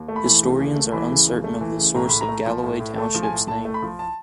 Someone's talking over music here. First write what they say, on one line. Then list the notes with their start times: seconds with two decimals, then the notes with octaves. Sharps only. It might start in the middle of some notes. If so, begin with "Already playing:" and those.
Historians are uncertain of the source of Galloway Township's name.
Already playing: D#2
0.08 A3
0.16 B5
0.25 E3
0.41 C#3
0.58 D#2
0.76 A3
0.92 E3 B5
1.10 C#3
1.27 D#2
1.44 A3
1.61 E3
1.78 C#3
1.95 A2 A#5
2.09 A2 B5
2.21 A#5
2.29 A3
2.46 F3
2.63 A2
2.80 A2
2.97 A3 A5
3.14 F3
3.23 G#5
3.32 A2
3.48 A2 A5
3.65 A3
3.74 B5
3.82 F3
3.99 A5